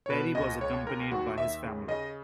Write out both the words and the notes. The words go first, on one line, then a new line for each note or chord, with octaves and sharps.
Perry was accompanied by his family.
C#5
B2 B4
C#2 D#5
C#2 C#5
C#2 A#4
D#2 F#4
D#2 E5
C#3
C#3 D#5